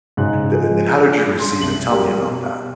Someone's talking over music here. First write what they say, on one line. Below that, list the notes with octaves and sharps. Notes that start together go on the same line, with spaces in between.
The and and how did you receive it? Tell me about that.
G#2 C#3 F#6
F3 G#3
C6
C2 F#7
F#3 G3 G4 A#4
B2